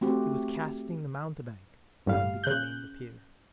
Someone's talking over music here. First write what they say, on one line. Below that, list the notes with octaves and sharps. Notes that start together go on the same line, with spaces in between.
He was casting the mountebank, and becoming the peer.
A3 C4 F#4 G4
G1 A2 G3 F5
C#3 F#6 G6